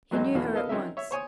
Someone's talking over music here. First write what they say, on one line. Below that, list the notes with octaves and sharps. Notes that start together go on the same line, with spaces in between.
He knew her at once.
B1 E2 F#3 G#3 C4 D#4
B1 E2 B2 E3 F#4 F5
A#3 B3 A4 D#5 F5
F#3 C4 C#4 D#4 A#4 E5
C#5 E5
C5 C#5 G#5 D#6